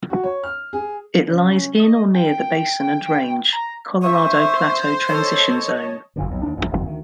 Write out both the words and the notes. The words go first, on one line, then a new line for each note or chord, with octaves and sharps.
It lies in or near the Basin and Range - Colorado Plateau Transition Zone.
F#4
C#5
F6
G#4
C#3
D#5
G5
A#5
C5 E5 C#6 D#6
A4 C#5 D#5 A5
F#1 A#2 D3
B1 F2
D#2 D4
A1 E2 G2
F#1 F2 D#3
D2 D#3